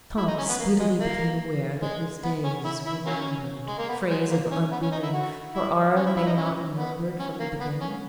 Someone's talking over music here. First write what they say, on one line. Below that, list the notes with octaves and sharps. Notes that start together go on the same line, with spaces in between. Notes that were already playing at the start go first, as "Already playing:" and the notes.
Tom speedily became aware that his days were numbered--phrase of unbelief, for are they not numbered from the beginning?
E4
D#4
C#4
B3
A#3
G#3
A#3
G#3
B3
C#4
E4
E4
F#3 A#3 C#4
G#3
A#3
B3
G#3
A#3
C#4
B3
C#4
D#4
E4
F#4
E4
C#4
E4
E4
D#4
C#4
B3
C#4
A#3
B3
C#4